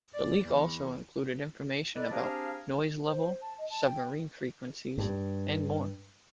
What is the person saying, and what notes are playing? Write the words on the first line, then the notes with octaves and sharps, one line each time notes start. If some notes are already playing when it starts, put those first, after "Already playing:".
The leak also included information about noise levels, submarine frequencies and more.
D5
E2
D#4 E4 A4 B4 D5
C4 D4 G4 G#4 A#4 F5
C5
A5
D#5
A5
G5
G2